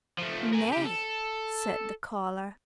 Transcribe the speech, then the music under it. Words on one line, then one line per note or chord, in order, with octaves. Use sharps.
"Nay!" said the collar.
F3 A3
A#4 G#5
C#3 G4
A4